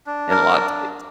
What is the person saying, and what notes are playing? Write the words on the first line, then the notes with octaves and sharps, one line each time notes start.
in lot states.
D4
A#4
D4